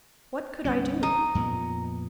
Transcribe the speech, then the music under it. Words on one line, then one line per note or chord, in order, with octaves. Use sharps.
What could I do?
G1 C2 C#4
D#4
F2 A#2 B3